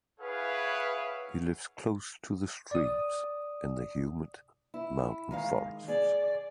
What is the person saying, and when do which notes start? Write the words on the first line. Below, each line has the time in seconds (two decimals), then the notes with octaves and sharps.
He lives close to the streams, in the humid mountain forests.
0.20 E4 G#4 B4 C#5 F5 F#5
2.71 D5 D#6
4.74 E4
5.31 D#3 G#3 F5
5.88 G#4 D5